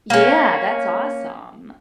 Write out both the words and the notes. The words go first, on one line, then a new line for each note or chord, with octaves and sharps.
Yeah, that's awesome.
A#3 C#4